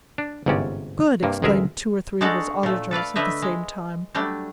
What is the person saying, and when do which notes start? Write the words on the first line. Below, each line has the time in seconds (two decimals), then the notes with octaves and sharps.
"Good!" exclaimed two or three of his auditors at the same time.
0.18 D4
0.46 G1 G#2 C3 E3 C#4 D5
1.23 G2 C3 A#3
1.42 A1 D2 G#3 G#4 A#4 E5
2.21 G#3 D4 D#4 F#4 A4 F#5
2.63 A#2 A3
2.91 A4 B4 D5 F5
3.16 D3 A3 B4 D#5 E5
3.42 G#3
4.15 F#3 G3 A3 D4